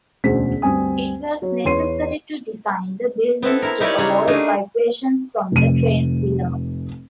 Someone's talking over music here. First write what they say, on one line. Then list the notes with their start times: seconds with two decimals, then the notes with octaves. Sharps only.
It was necessary to design the buildings to avoid vibrations from the trains below.
0.24 E1 D2 C#4 G#4 C5 B6
0.62 D2 G2 C4 G#5 D#6
1.42 F#3 C#5
1.65 E2 B4 C#5 C6 C7 D#7
3.42 B3 C4 E4 A4
3.62 E4 A#4
3.80 D#4 E4 G4 A#4 C#5 D5
3.98 C#3 A#3 C#5
4.27 A3 A#3 D4 D#4 G#4
5.52 F1 D#7